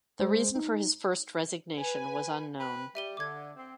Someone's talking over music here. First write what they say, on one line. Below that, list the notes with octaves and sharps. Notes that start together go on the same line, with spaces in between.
The reason for his first resignation was unknown.
G#3 G#4 C5
D#4
B4 G#5
C4 B4
G3 E5 D#7 G7
D3 D6 G#6
C4